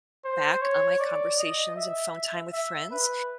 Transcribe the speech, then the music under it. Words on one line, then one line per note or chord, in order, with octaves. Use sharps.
back on my conversations and phone time with friends.
C5
C#5
D5
D#5
E5
E5
B4